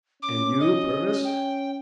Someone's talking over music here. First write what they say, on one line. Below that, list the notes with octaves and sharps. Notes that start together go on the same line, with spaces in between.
"And you, Purvis?"
C#4 D6
D#5
G5